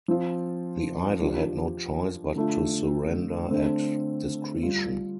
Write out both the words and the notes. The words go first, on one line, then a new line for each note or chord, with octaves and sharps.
The idol had no choice but to surrender at discretion.
F3 C4 F4
F3 D4 G4
D3 A3 F4
D3 A3 C4
G3 F4